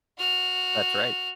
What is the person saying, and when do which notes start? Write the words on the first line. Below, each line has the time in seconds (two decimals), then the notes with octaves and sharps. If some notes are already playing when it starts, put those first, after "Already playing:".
That's right.
0.18 F#4 F6